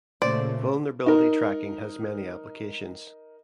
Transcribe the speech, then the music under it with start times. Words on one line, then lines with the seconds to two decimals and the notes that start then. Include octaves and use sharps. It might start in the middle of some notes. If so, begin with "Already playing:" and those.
Vulnerability tracking has many applications.
0.22 A#2 C#3 A3 C5 D5
1.06 D#4 A#4